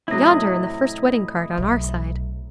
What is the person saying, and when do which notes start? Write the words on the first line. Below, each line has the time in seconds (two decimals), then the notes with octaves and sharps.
"Yonder, in the first wedding-cart, on our side."
0.08 A2 C3 F#3 E4 D#5
1.57 B1